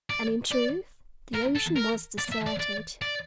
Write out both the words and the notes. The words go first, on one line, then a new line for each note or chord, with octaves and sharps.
And in truth, the ocean was deserted.
D5
D5
A#4
A4
A#4
D5
E5
D5
D5
D5